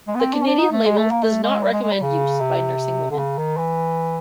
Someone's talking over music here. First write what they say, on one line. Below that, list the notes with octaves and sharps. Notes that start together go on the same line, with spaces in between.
The Canadian labeling does not recommend use by nursing women.
G#3
B3
C4
D4
C#4
D4
D#4
A3
G#3
A3
A#3
A3
G#3
G3
G#3
G#3
G3
C#3
C3
D3
C#3
D#3
E3